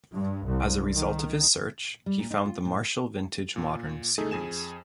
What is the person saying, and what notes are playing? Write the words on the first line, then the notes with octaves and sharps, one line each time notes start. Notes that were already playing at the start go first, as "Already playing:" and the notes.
As a result of his search he found the Marshall Vintage Modern series.
G2
C2
D#3
G3
A#2
D#4
F4
A2
A#2
A3 D#4 G#4 A4
F2 G#4 G#5 E7